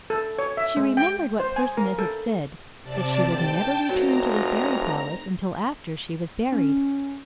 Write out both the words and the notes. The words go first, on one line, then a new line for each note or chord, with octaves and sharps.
She remembered what Percinet had said: that she would never return to the fairy palace, until after she was buried.
A4
C#5
E5
G#3
G5
C5
G#5
A#4
A4
C3 D5 A5
F1 G5 A5
F1 F#3 A#5
C#4